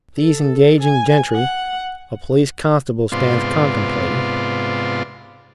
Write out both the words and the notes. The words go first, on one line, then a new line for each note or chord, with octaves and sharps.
These engaging gentry a Police-constable stands contemplating.
A4
G#5
F#5
G#2 C3 B3 F4 D5 C6